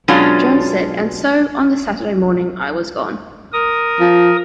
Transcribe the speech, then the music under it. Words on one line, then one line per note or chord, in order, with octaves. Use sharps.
Jones said And so, on the Saturday morning I was gone.
B2 F#3 G#3 C#4 D4 F4
A#4 D#6
F3